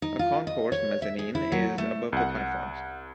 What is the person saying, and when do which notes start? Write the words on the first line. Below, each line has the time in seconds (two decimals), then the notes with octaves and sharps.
A concourse mezzanine is above the platforms.
0.02 D#4
0.19 F4
0.47 D#5
0.72 C#5
1.02 E5
1.19 G#4
1.35 E4
1.52 F#3
1.78 A3
2.13 C2 F#5